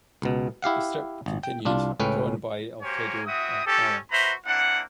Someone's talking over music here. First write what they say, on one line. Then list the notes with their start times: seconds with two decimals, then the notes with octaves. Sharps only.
The strip continued, drawn by Alfredo Alcala.
0.22 C#2 B2
0.62 E4 G4 F5 F#5
1.26 G#1
1.43 G5
1.65 C2 D4 F4
2.00 C#2 A2 C#4 B4 G5
2.82 A#3 F#4 G4 C5 C#5 G#5
3.26 C4 E4 F#4 E5 D#6
3.65 C#4 G4 A4
4.12 F#4 B4 C5 E5 A#5 B5
4.46 A#3 C4 D4 E4 F#5